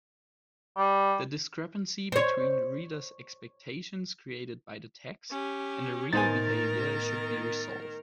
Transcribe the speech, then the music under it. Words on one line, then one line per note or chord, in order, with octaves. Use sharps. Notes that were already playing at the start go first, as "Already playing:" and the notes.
The discrepancy between reader’s expectations created by the text and the real behaviour should be resolved.
G3
C5 C#5
C#4 G4
A2 D#3 B3 D#4 A#4 C5 G#5 A6